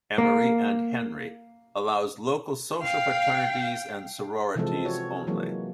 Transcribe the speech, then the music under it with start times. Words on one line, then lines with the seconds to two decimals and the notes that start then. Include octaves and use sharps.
Emory and Henry allows local social fraternities and sororities only.
0.18 A#3
2.84 F5 G5
4.55 C3 E3 F3 G#3 C4 A4
4.85 F#4 C#5
5.27 E3 F#3 G#3 A#3